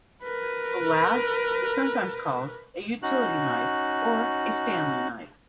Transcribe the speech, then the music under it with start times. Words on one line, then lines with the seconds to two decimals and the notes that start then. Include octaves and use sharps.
The last is sometimes called a utility knife or a Stanley knife.
0.23 A#4 B4
3.03 C#4 D#4 F#4 F#6